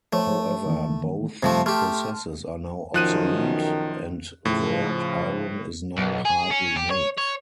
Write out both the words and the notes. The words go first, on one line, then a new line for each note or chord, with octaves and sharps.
However both processes are now obsolete, and wrought iron is now hardly made.
F3 A3 C5 C#5
D#3 E3 A#3
F#2 C3 F3 G3 A3
A3 G4 A5 C6 F6
B1 F#2 D#3 F3 F#6 D#7
A2 C#3 F3
B1
G#4
C#4
G4
C#5
C#5